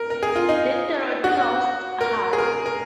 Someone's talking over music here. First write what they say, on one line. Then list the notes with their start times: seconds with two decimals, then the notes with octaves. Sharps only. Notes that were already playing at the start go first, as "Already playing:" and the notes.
Then Dorothy lost heart.
Already playing: A#4
0.10 A#4
0.23 G#4
0.36 F4
0.49 D#4
1.24 F#4
2.01 A#4
2.33 G#4
2.38 A#4
2.66 A#4